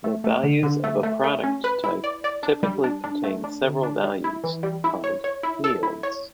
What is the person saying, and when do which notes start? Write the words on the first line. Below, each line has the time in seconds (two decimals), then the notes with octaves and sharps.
The values of a product type typically contain several values, called "fields".
0.04 A3
0.24 A3
0.43 D3
0.63 D3
0.84 A3
1.03 A3
1.24 A3
1.44 C#4
1.64 B4
1.84 E4
2.04 D5
2.24 D5
2.43 D4
2.63 G3
2.84 D4
3.04 D4
3.24 A3
3.44 D4
3.63 D3
3.83 D4
4.04 G3
4.24 E4
4.44 E3
4.63 G3
4.84 E4
5.04 C#5
5.24 C#5
5.43 E4
5.64 A4
5.83 E4
6.03 C#5